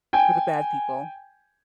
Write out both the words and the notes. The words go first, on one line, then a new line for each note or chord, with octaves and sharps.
For the bad people.
G5 G#5